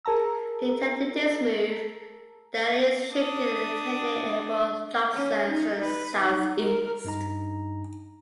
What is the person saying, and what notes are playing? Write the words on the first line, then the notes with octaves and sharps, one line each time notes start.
Detecting this move, the Allies shifted their intended airborne drop zones to the southeast.
G#4 A#4 A5 A#5 E6
D4 D#6
C#4
D#4
B4
D#4
A#4
G2 D#4 A#5